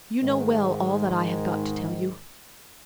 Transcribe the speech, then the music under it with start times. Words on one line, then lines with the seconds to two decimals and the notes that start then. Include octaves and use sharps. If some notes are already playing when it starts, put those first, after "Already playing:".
You know well all that I have got to tell you.
0.22 G#2 D#3